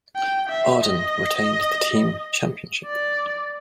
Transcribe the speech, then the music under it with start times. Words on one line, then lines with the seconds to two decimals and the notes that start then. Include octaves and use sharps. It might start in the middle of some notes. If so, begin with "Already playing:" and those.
Arden retained the Team Championship.
0.16 G5
0.50 E5
0.83 D#5
2.86 D5